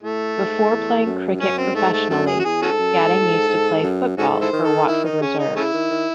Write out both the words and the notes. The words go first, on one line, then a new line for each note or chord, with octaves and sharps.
Before playing cricket professionally, Gatting used to play football for Watford reserves.
A2 A3
G#2
E2
F#2
F#2 C#4
C4
G#2 A3
A3
F#2 A3
G#4
F#4
E2 G#4
C#4 F#4 A4
G#2
F#2
G#2
A2
G#2
G#2
F#2
G#2 C#4 F#4 A4
E4 A4 C5
D#3
A4
D#3 E4
D#4
C#3 C#4
D#4
D#3
C#3 A3 C#4 E4
D#3
D#3